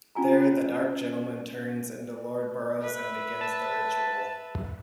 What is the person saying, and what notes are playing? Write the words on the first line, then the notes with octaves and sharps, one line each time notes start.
There, The Dark Gentlemen turns into Lord Burroughs and begins the Ritual.
C#4 F4 G#5 A#5
B4 E5
A5